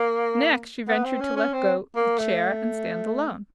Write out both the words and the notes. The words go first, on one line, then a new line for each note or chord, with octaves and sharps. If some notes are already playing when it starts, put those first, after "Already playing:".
Next she ventured to let go the chair, and stand alone.
Already playing: A#3
B3
C4
C#4
C#4
C4
A#3
A3